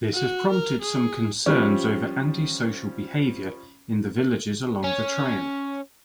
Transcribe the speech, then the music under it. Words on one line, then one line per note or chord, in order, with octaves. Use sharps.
This has prompted some concerns over anti-social behaviour in the villages along the Trail.
F#4
A#4
G#4
F3 G3 C#4
C#4